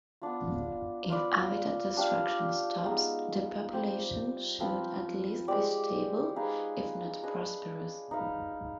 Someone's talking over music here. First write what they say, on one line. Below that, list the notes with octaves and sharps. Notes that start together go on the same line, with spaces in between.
If habitat destruction stops, the population should at least be stable, if not prosperous.
B3 D4 F4
D4 F4 B4 D5
D4 G4 D5 F5
G#3 B3 D#4
G3 C4 G4 C5
F3 C4 F4 B4
G#3 C4 G4 D5
D#4 G#4 B4 F5
D4 G#4 B4 D#5
D#4 B4 F5